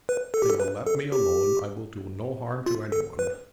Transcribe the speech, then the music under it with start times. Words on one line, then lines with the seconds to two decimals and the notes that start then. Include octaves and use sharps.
If they will let me alone, I will do no harm to any one.'
0.09 B4
0.34 A4
0.42 G4
0.50 A4
0.60 B4
0.87 A4
1.12 G4
2.66 F4
2.92 A4
3.19 B4